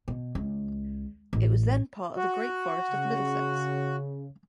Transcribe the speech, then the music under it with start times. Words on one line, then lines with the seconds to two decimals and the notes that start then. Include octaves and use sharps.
It was then part of the great Forest of Middlesex.
0.08 B2
0.35 C#2
1.33 A1
2.16 F#4
2.90 C#3